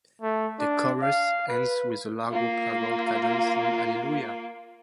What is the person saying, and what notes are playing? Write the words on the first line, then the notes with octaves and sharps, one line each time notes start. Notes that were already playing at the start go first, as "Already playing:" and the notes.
The chorus ends with a largo plagal cadence on "Alleluia".
A3
D4
F5
B4
A#3 F4